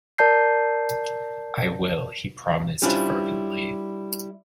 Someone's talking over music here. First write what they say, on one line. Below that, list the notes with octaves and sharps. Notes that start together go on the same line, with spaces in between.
"I will," he promised fervently.
A#4 D5 A5 G6 C7
G3 C#4 D4 E4 F4 C5